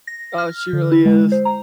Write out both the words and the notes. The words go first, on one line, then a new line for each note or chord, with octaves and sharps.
Oh, she really is.
A#6
F6
D3
E4
G#3
C5
A#5